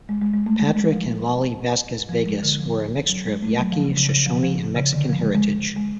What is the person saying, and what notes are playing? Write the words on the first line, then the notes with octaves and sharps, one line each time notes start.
Patrick and Lolly Vasquez-Vegas were a mixture of Yaqui, Shoshone, and Mexican heritage.
G#3
G#3
G#3
A3
G#3
G#3
F3
F3
G#3
D3
F3
F#3
G#3
A3
F#3
F3
C#3
C#3
C#3
F3
F3
C#3
D3
F3
G#3
G#3
G#3
G#3